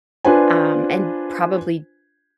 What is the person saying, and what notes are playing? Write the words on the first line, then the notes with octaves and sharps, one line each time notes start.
um, and probably
D4 F4 B4 C5 G#5